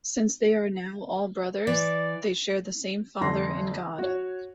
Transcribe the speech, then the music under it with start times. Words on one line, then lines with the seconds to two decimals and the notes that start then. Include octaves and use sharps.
Since they are now all brothers they share the same father in God.
1.67 E3 D5
3.21 F1 F2 D3 C6 A#6
3.98 F#4 C#5